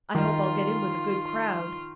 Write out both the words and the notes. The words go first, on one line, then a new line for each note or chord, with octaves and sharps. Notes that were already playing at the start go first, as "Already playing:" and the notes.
I hope I'll get in with a good crowd.
D#3 F4